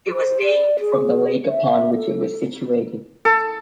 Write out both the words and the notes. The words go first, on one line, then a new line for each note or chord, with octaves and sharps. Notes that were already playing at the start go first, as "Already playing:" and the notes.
It was named from the lake upon which it was situated.
C5
D5
G#4
E5
A4
A4